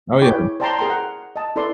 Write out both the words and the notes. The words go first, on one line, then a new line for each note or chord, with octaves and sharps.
Oh yeah.
E4 G#4 C#5 G5 B5 D6
C5 D5 G5 A5 A#5 C6
G#4 A#4 G5 A#5 C6
F#5
D#5 A5
E4 A4 B4 D5 C6